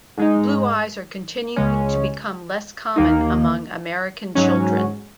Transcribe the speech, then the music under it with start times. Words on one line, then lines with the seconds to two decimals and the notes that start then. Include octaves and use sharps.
Blue eyes are continuing to become less common among American children.
0.18 G#2 G#3 D#4
1.56 C#2 C#3 G#3 C#4
2.96 D#2 D#3 A#3 D#4
4.35 G#2 F#3 C#4